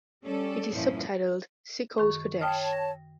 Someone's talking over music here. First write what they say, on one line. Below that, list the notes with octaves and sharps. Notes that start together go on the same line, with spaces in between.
It is subtitled "Sichos Kodesh".
G3 C#4 A4 D5
E2 G2 A#2 F3 C#4 E4
F#2 D#3 C#6
C#5 G5 A5 D#6 F6
A#6